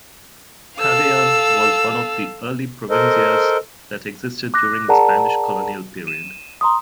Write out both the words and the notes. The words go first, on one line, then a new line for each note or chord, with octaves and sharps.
Cagayan was one of the early "provincia"s that existed during the Spanish Colonial Period.
A4 F5 E6
A4 A#4 C5 D#5
D6 F#6 A#6
G#4 A#4 D5 F#5 A5 A#5
D#7 E7
A#5 C6 D#6